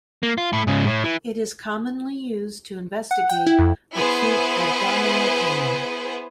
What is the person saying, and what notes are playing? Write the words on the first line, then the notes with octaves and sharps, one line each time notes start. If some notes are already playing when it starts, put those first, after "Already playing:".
It is commonly used to investigate acute abdominal pain.
A#3
F4
A3 E4
G#2 C#3
A2
E3
F#5
G5
E4
F2
B3 E4 G#4 B4 C5